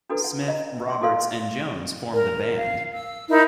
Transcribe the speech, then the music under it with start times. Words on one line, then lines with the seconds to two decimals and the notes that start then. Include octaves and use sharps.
Smith, Roberts and Jones formed a band.
0.10 D4 E4 F#4 A4 B4
0.24 F#5
0.48 D#5 A#5
0.87 E5 C6
1.01 E4 F#4 A4 F5 C6
2.14 A#4
2.57 F5
2.93 E6
3.29 D#4 E4 A#4 B5